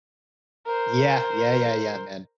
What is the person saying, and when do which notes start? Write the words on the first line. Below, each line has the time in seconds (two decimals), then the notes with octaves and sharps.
Yeah. Yeah, yeah, yeah, man.
0.66 A#4 C5